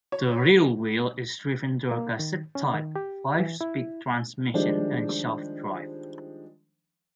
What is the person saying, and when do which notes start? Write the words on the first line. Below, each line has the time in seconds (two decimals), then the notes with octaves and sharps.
The rear wheel is driven through a cassette-type five-speed transmission and shaft drive.
0.12 C#5
1.91 A#3
2.19 D#3
2.55 C#4
2.74 D#3
2.96 G4
3.40 E3
3.61 E4
4.54 D#3 F3 G3 G#3 D4 C5